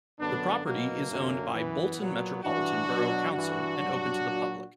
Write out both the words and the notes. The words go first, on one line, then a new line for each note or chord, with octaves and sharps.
The property is owned by Bolton Metropolitan Borough Council and open to the public.
F#2 D3 F#3 B3 D4
B2 F#3 A#3
F#2 D3 F#3
F#2 E3 B3
A#2 F#3
G2 E3 D4 F#4
B2 F#3
G2 E3 D4 F#4
G2 F#3
A#2 F#3